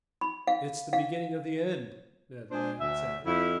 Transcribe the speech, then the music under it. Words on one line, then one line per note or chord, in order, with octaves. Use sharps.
"It's the beginning of the end!" Ned Land said.
B5
F5
F5
G#3 D4 G#4 C5
D2 E5
F2 E4